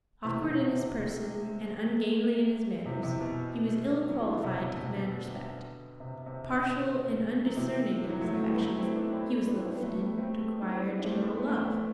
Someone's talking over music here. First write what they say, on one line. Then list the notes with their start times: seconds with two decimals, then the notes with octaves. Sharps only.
Awkward in his person, and ungainly in his manners, he was ill qualified to command respect; partial and undiscerning in his affections, he was little fitted to acquire general love.
0.25 C3 E3
0.42 B2 D3
0.59 C3
0.77 C3
2.86 C3 E3
3.03 C3 E3
3.21 B2
4.09 F#3
4.20 E3
4.32 D3
4.44 C3
4.61 B2
4.78 C3
4.96 B2 D3
6.00 C3
6.26 C3
6.52 B2 D3
7.46 F#3
7.56 C3 E3
8.04 E3
8.08 D3 F#3
8.21 F#3 A3
8.34 F#3 A3
8.47 E3 G3
8.55 B3
8.61 F#3 A3
8.78 C4 E4
8.96 B3 D4
9.13 C4 E4
9.31 C4 E4
9.47 B3 D4
9.60 C4
9.65 B3 D4
9.78 B3
9.83 F#3 A3
10.00 G3 B3
10.18 A3 C4
10.62 D4
10.70 C4 E4
10.87 B3 D4
10.98 D4
11.04 A3 C4
11.22 B3 D4
11.38 B3
11.48 A3 C4